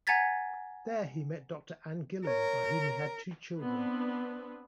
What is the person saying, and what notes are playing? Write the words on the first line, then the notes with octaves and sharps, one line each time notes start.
There he met Doctor Anne Gillen, by whom he had two children.
F#5 G#5 A#5 G#6 A6 B6
A#4 C#5
B3 C4 D4 B4